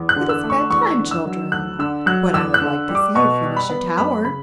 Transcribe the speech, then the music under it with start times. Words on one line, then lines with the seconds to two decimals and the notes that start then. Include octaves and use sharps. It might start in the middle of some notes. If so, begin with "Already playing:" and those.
"It is bed-time, children, but I would like to see you finish your tower."
Already playing: E2
0.09 F#6
0.16 D3
0.29 E6
0.43 A3
0.50 C#6
0.70 E2 C#6
0.98 D3
1.11 E6
1.25 F#3
1.52 D2 F#6
1.79 D3 E6
2.06 F#3 F#6
2.34 E2 E6
2.54 F#6
2.62 D3
2.89 G3
2.95 D6
3.15 B2 C#6
3.43 G3
3.57 B5
3.70 B3
3.97 F#2 B5
4.25 C#3 B5